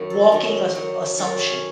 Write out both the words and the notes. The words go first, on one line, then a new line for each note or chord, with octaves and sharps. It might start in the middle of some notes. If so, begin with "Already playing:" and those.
walking assu assumption.
Already playing: F#2 D#3 F#3
A4
F#2 D#3 F#3
F#2 D#3 F#3
F#2 D#3 F#3 A4
C#4